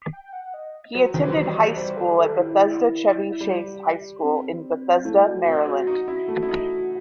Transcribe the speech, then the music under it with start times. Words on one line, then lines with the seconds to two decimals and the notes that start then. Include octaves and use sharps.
He attended high school at Bethesda-Chevy Chase High School, in Bethesda, Maryland.
0.13 G5
0.25 G5
0.33 F#5
0.54 D#5
0.95 F#3 C5
1.14 D#3
1.21 E3 C5
1.28 F#3
1.36 G3
1.50 D#5
1.76 G3 C5
1.97 A4
2.18 A4
2.38 E4
3.40 G3
4.23 C4
5.05 A3 E4
5.26 F#4
5.46 C4
5.66 F#4
5.87 D#4
6.08 E4
6.28 A3
6.43 E4
6.49 D#4